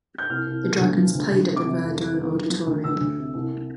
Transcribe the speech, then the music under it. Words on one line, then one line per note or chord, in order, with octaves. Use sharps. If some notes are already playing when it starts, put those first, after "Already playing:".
The Dragons played at the Verdun Auditorium.
G6
C2 F6
C2
B2
D2
F3
D2
D2
C3
D6
C3
F2
E3
E3
F3
F3
D2
D2 E6
D2
C3
C2
C3